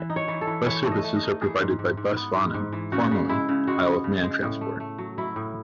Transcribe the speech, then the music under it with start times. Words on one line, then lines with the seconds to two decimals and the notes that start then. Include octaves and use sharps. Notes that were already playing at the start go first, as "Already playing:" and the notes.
Bus services are provided by Bus Vannin, formerly Isle of Man Transport.
Already playing: E3
0.10 D#4
0.16 C#5
0.28 E3
0.41 A4
0.47 E3
0.66 E3 C#5
0.85 A3
0.91 D#5
1.04 A3
1.16 D#5
1.23 D#4
1.42 E3 G#4
1.60 G#2
1.79 G#2
1.97 G#2
2.16 B3
2.36 G#2
2.54 G#2
2.73 E3
2.92 C#3 F#4
3.11 C#3
3.29 G#3 E4
3.49 C#3
3.67 G#3 F#4
3.86 B3
4.04 C#3
4.23 G#3
4.43 A2
4.61 A3
4.80 A3
4.98 F#3
5.18 F#3 E4
5.36 A2